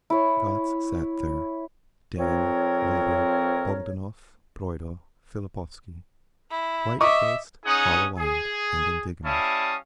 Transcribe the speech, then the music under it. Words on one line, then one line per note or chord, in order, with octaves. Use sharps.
Gotz sat there, Dan, Lieber, Bogdanov, Broido, Fillipovsky,--white-faced, hollow-eyed and indignant.
E4 C#5
F2 F3 C4 A#4 C#5
E4
D#5 E5 C#6 D6
C#4 D#4 G#4 F#5 D#6
G#4
G3 C#4 E4 F5 A5 D#6